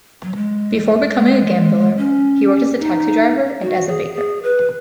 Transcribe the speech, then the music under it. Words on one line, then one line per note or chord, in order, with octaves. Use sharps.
Before becoming a gambler, he worked as a taxi driver and as a baker.
F#3
G#3
G#3
C#4
D#4
F#4
G#4
G#4
B4